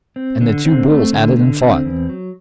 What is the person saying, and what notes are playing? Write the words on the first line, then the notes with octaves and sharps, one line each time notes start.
And the two bulls at it and fought.
C4
D3
C4
A3
D3
D3
C4
E2
F#3